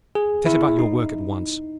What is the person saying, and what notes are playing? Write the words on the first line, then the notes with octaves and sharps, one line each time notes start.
'Set about your work at once.
G#4
E4
D#4